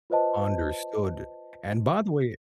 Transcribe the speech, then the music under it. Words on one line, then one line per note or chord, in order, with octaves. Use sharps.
Understood. And by the way, eh, uh
F4 B4 C5 D#5 A5